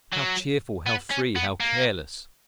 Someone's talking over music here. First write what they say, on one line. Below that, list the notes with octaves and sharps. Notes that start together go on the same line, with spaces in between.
How cheerful, how free, how careless!
F#3
B3
C#4
B3
A#3